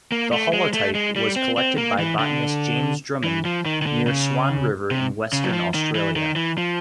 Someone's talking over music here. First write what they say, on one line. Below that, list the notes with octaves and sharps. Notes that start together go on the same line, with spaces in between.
The holotype was collected by botanist James Drummond near Swan River in Western Australia.
A#3
A3
G#3
A3
G#3
G3
C4
C4
A#3
E3
D3
E3
F3
D#3
D#3
D3
C#3
C3
C#3
F#3
F3
D#3
E3
D#3
E3
F3